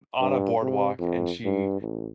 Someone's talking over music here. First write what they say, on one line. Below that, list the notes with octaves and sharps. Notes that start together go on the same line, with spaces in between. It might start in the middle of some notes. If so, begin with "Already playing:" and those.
on a boardwalk, and she
G2
C3
F2
G2
A1